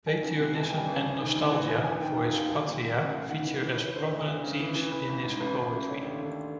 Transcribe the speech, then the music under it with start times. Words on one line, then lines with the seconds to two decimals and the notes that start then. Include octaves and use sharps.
Patriotism and nostalgia for his 'patria' feature as prominent themes in his poetry.
0.06 D#3 G#5
0.22 C#2
0.39 C3
0.55 E3 A5
0.62 G#5
0.70 G2 G5
0.78 G#5
0.88 A1
1.04 D2
1.20 D#3
1.36 D2
1.52 E3
1.69 D2 G#5
1.84 D2 G#5
2.01 D#3 G5
2.17 E1
2.34 D#2
2.50 B1
2.66 A#2
2.82 A#2
2.98 A1 F#5
3.14 A1 F5
3.30 D#3 F#5
3.47 E3
3.62 E3
3.79 E3
3.85 C#5
3.95 D3 C5
4.11 D2
4.28 D2
4.44 C#3
4.60 E3
4.75 E3
4.92 E3 B4
5.09 A1
5.24 G#2
5.40 A1 B4
5.56 A1
5.73 A1
5.89 D3 C#5
6.05 D#2
6.22 D3